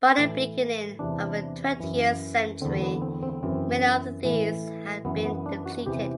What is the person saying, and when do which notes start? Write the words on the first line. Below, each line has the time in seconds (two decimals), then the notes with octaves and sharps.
By the beginning of the twentieth century, many of these had been depleted.
0.18 A2 E3
0.99 E2 C3 E3 D4
1.80 F#2 E3
2.61 D3 C4
2.65 E2
2.82 B3
3.02 C4
3.23 C4
3.43 F#2 E3 C4
4.24 A2 E3
5.05 F#2 E3 B3
5.25 B3
5.46 D4
5.66 F#4
5.86 E2 C3 E3 G4